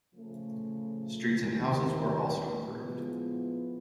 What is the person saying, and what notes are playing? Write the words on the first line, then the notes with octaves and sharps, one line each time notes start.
Streets and houses were also improved.
C#3 F3 A3
E2 C3 D#3
A2 F3 G#3 B3